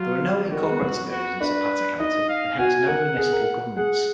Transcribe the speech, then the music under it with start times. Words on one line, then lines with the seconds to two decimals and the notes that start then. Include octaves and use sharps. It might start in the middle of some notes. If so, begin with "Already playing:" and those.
There are no incorporated areas in Zapata County and hence no municipal governments.
Already playing: F#3 F4
0.52 D#3 F#4
0.62 G#3
0.72 B3
1.11 F#4
1.41 D4 B4
1.99 D#4 D#5
2.29 F5
2.58 F#4 G#5
2.88 A#4 F#5
3.17 G#4
3.32 A#4
3.76 G#4 F#5